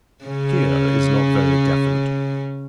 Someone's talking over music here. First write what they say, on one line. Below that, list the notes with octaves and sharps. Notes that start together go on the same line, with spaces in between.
'Here' is not very definite.
C#3 C#4